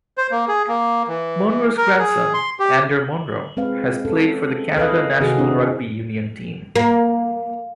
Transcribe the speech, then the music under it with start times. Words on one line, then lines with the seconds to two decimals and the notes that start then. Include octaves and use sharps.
Monro's grandson, Ander Monro, has played for the Canada national rugby union team.
0.18 C5
0.31 A#3
0.48 G#4
0.68 A#3
1.08 E3
1.46 E3
1.77 A#4
1.99 G#4
2.34 C6
2.60 G4
3.57 G#3 C4 B4 F5
4.05 C#4 A4
4.77 A4 B4 D#5 F5
5.20 C3 D#3 F#4 G#4
5.38 C4 D4 E4
6.76 A#3